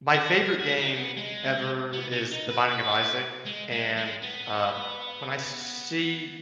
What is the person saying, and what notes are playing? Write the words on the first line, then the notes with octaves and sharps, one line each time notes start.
my favorite game ever is The Binding of Isaac, and, um, when I s see
F#4
G#4
F#4
D#4
C#4
B3
G#3
B3
C#4
D#4
B4
B4
G#3
G#3
G#3
B3